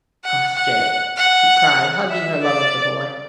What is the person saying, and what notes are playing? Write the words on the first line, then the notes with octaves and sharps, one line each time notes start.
"Crossjay!" she cried, hugging her love of the boy.
F#5
F#5
F#5
E5
D5